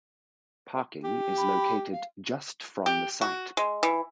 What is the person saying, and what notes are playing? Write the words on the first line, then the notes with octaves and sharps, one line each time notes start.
Parking is located just from the site.
G4
B5
F5
G4
F#4
G#3
E3